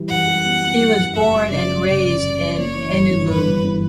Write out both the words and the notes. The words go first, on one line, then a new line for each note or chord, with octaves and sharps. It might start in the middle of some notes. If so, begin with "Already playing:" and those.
He was born and raised in Enugu.
Already playing: E3 G3
F#2 F#5
G3
B3
B3
G3
F#2
F#1 E5
G3
C#3 D5
G3
C#3 D5
C#3
F#2
F#1
A#3 C#5
E3
G1
E3
G1 B4
G2
E3